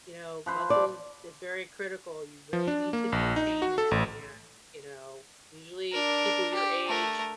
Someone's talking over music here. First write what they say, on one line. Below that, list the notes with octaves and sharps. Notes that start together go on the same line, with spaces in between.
you know, muscles is very critical. You really need to maintain it. And, you know, usually people your age,
F3 B4 C5
D5
F3
D4
A#3
A#1
D#4
F#4
A4
A1
D4 A#4
G4
A3 A#4